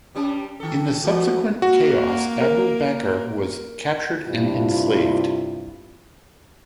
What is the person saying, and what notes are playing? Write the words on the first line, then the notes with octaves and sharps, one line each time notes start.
In the subsequent chaos Abu Bakr was captured and enslaved.
G2 G3 C#4
D#3 A4
E3 F3 A3 F#4
A#3 F#4
A#4
G2 C3 E4 F4